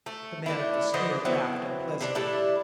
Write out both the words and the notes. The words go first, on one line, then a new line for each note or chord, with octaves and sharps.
The man of the sneer laughed unpleasantly.
A3
A3 D4 E4
D3 E3 C5 D#5
F#3 B3 C4 E4
C3 D4
G3 A3 D4 E4